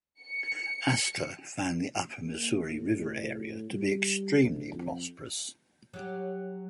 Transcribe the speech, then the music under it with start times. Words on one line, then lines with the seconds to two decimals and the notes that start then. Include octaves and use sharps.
Astor found the upper Missouri river area to be extremely prosperous.
0.21 C#7
2.26 A#3
2.69 A2
3.71 G3
4.36 D2
4.73 F2
5.94 F#3 G4